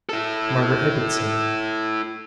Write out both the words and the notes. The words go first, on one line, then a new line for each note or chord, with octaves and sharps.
Margaret Ibbotson!
E4 A4